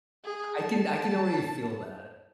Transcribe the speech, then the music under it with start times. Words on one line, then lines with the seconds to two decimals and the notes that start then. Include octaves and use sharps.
I can I can already feel that.
0.25 G#4
0.59 A5